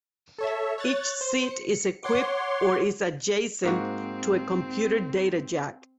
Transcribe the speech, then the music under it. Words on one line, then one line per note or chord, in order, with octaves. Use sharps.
Each seat is equipped or is adjacent to a computer data jack.
A4 C#5 E5
C#5 F#6 A6
C5
C#7
C#5 F#5 C6 D6
G#2 A#3 C4 F#4